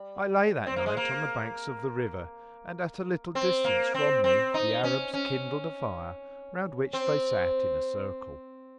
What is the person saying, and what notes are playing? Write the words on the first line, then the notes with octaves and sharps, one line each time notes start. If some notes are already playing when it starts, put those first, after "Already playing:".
I lay that night on the banks of the river, and at a little distance from me the Arabs kindled a fire, round which they sat in a circle.
Already playing: G3
C4
A#3
G#3
A#3
C4
A#3
C4
C4
D#4
C#4
C#4
C4